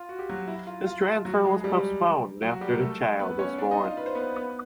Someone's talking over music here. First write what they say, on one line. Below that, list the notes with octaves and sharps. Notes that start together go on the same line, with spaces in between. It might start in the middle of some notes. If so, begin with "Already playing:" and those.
His transfer was postponed after the child was born.
Already playing: F4
F#4
G4
F#3 F#4
E4
F4
F4
F#3 F#4
G#3 G#4
G#4
G3 G4
F#3 F#4
G3 G4
A#4
A3 A4
B3 B4
C#4 C#5
D4 D5
D#4 D#5
F4 F5
B4
C5
B3 B4
B3 B4